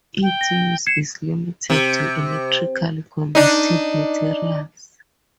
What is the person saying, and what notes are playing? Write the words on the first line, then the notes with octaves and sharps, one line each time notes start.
Its use is limited to electrically conductive materials.
G5
A#6
G#6 C7 C#7 E7
C3
D4 D#4